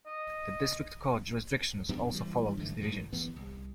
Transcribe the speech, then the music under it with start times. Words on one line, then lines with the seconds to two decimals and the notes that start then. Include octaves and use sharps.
The district court jurisdictions also follow these divisions.
0.06 D#5
1.89 F2 C3 B3 D4
2.14 E3 G3
2.57 D3 E3 A3
2.81 F#2 A2 D#3
3.13 D1 G2 E3 B3
3.36 C2